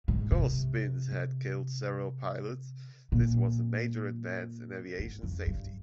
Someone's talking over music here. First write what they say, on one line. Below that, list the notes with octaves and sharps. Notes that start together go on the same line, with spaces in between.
Because spins had killed several pilots, this was a major advance in aviation safety.
G#2
C3
A#2
G#2
F2
G2